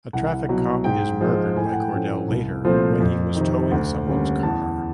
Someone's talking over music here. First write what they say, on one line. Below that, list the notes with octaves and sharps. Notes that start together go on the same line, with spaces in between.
A traffic cop is murdered by Cordell later when he was towing someone's car.
C2 F#5
B2 F#3
G#2 G5
F3 G#3
A2 G#5
G5
F#5
G5
F3 A3 C#4
C2
A#2 F3 A3 C4
F2
C3 D#3
D2
D3 G3 A#3 C#4
E2 A5